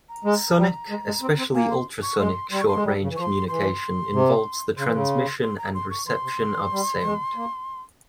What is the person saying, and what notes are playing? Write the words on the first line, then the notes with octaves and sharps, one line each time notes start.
Sonic, especially ultrasonic short range communication involves the transmission and reception of sound.
A#5
G#3
G3
G#3
G#3
C4
C4
A#3 G#5
C6
C#6
G#3 C6
G3 C6
C#6
C6
G#3
G3
C#3
E3
F3 C#6
C6
E3 C6
C3
C#3 C6
E3
C#3
C6
A#5
C6
C#6
E3 C6
C3
C#3
E3
G3
G#3
A#3